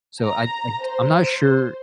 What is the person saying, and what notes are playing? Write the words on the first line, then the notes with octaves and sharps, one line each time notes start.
So I I t I'm not sure.
A#5
C5